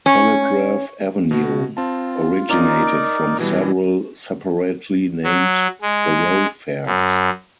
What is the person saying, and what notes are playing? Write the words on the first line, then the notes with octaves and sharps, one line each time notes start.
Telegraph Avenue originated from several separately named thoroughfares.
C#4
B2 F#4
C4 F4 A5
C#4 D#4 F4 A#4 D5
D7
B2 E3 G3
F#3
G#3
F#2